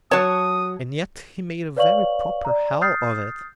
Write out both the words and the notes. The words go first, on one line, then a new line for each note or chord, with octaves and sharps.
And yet he made a very proper hell of it.
F#3 C#5 A5 D#6
B4 C#5 D5 F5 C#6 F#7
D5 A#5
D#6 F6 G6 A6 C7